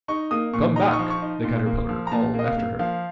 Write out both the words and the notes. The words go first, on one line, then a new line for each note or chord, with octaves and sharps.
'Come back!' the Caterpillar called after her.
D#4 C#6
A#3 D#6
A#2 C#6
D#4 A#5
D#6
C#6
F3
C#6
D#4
A#2
A#3
F3
A#5
A#2 A5
A#3 D#5
F5
A#3
F3 F5